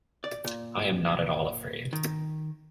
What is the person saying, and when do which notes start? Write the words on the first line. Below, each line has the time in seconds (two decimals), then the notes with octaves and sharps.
I am not at all afraid.
0.24 D5
0.45 A#2
1.93 D#3